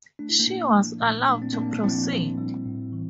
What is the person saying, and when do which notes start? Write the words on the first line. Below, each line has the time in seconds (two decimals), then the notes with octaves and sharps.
She was allowed to proceed.
0.19 A3 D4
0.29 E4
0.39 A#3 D4
0.47 A#2
0.75 F3
1.01 A#2
1.28 A3 D4
1.42 C4
1.53 A#2 A#3 D4
1.78 D4
1.83 F3 C4 E4
2.11 A#2
2.38 G3
2.66 A2
2.93 E3